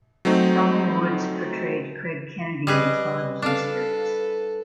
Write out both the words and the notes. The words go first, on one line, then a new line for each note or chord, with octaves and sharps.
Donald Woods portrayed Craig Kennedy in the television series.
F#3 A3 C4 D#4
G3 G#4 B4 D#5
D4 A4 B4 F5